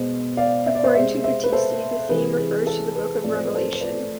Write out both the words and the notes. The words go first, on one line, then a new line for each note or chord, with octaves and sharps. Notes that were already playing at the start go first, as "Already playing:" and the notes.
According to Battisti, the theme refers to the "Book of Revelation".
Already playing: B2 G#3 B3 C5
D5 F5
E5
D5
C5 E5
C3 G#3 C4 C5 E5
C5 E5
B4
A4 C5
C3 E3 G#3 G#4 B4
G#4 B4
A4
G#4 B4
A2 F3 A3 C4 D5
C5
B4
A4 C5
C5
B4 D5